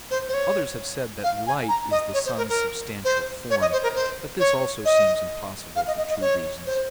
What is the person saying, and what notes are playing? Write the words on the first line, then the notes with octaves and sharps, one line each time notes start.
Others have said that light is the sun's substantial form, but this also seems impossible for two reasons.
C5
C5
C#5
F5
G#5
A#5
D#5
C#5
C5
A#4
A#4
C5
C#5
D#5
C5
A#4
C5
C#5
D#5
F5
D#5
D#5
D#5
C#5
C5